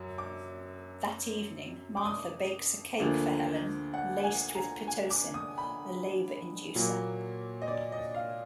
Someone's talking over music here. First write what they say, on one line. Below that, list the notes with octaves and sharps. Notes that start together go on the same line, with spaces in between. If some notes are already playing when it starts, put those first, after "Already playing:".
That evening, Martha bakes a cake for Helen laced with pitocin, a labor inducer.
Already playing: F#2 F#3
D6
D6
D#6
D2 D3 F3 A#3
F#5
G#5
A#5
G#5
D6
D#6
B5
A#2 F#3 A#3
D#5
D5
D#5
F5